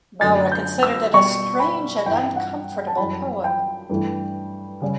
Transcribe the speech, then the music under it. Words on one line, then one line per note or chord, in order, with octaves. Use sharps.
Bowra considered it "a strange and uncomfortable poem".
F#2 D3 A3 A6
G6
E6
B2 G3 C#6
B5
G2 E3 G3 G5
F#5
A5
F#2 E3 G3 B5
G5
G2 E3 A3
C#3 G3